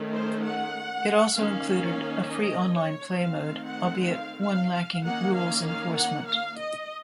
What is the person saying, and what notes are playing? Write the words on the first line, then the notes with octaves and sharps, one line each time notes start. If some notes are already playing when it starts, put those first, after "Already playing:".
It also included a free online play mode, albeit one lacking rules enforcement.
Already playing: D#3 A3 C#4
C5
F#5
D#3 A#3 C#4 F5
D#5
C#5
D#3 A3 C4 F5
F#5
F5
F5
F5
D#3 A#3 C#4 F#5
F5
F5
F#5
F5
D#5